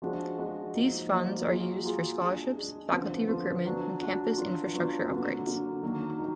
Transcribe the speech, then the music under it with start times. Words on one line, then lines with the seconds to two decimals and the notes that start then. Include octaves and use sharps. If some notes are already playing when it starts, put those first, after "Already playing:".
These funds are used for scholarships, faculty recruitment, and campus infrastructure upgrades.
0.02 F3 G#3 D4 F#4
0.38 F3 G#3 D4 F#4
0.74 F3 A#3 D#4 F#4
1.11 F3 A#3 D#4 F#4
1.47 F#3 A#3 F4 G#4
1.84 F#3 A#3 F4 G#4
2.20 G#3 D4 G#4
2.56 G#3 D4 G#4
2.92 D3 F3 B3
3.28 D3 F3 B3
3.65 F#3 D4 F#4
4.02 F#3 D4 F#4
4.38 F#3 B3 D4 F4
4.73 F#3 B3 D4 F4
5.10 D3 F#3 A#3
5.46 D3 F#3 A#3
5.82 D#3 F#3 A#3 D4
6.19 D#3 F#3